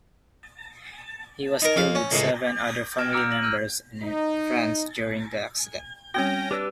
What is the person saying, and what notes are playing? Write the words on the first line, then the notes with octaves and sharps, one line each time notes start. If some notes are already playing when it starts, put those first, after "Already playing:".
He was killed with seven other family members and friends during the accident.
D#4 A#4
F2 F5
C#4
C#2 A2 C#3
F6 G#6 A#6 D7 E7
A#5 D6 E6 F6 C#7 D7
A#6 F#7
E6 F6 G6 D#7
D#4
G3 C4 C#4 F#4 G5 A#6
D4 G4 B4 E6